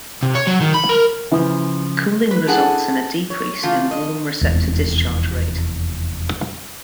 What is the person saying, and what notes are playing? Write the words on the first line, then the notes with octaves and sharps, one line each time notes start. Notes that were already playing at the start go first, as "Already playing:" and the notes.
Cooling results in a decrease in warm receptor discharge rate.
C3
C#5
F#3
D#3
B5
A#4
C#3 E3 F3
B4
D4 E4 G#4 A4 F#5 G#5
C#5
C#3 E3 A3 F4
F2 D#5
F1 E2 G#3 C4